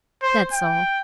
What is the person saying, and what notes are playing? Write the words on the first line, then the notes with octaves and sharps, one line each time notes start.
That's all.
C5
G5